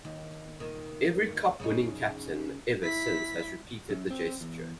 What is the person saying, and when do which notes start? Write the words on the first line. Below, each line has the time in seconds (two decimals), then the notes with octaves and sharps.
Every Cup-winning captain ever since has repeated the gesture.
0.05 D#2 D#3
0.60 C2 A#2 D#3
1.29 D2 G2
1.60 F#2 C#3 C#4 D#4
2.83 E4 B6
3.90 F#2
4.11 C4
4.41 E2